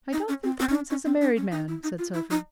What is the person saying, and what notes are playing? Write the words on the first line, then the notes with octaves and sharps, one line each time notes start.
"I don't think the prince is a married man," said Sophy.
D#4
C#4
C4
C4
C#4
D4
C#4
C4
D4
C#4
D#4
E4
D#4
F4
E4
D#4